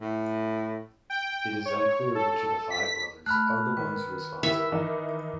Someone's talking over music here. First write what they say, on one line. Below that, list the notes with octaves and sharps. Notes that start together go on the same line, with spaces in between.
It is unclear which of the five brothers are the ones responsible.
A2
G5
C#5
A4
B6
A3 B5 F6 F#6
D#3 B4
D#3 E4 G4 E5
D#3 E3 D#4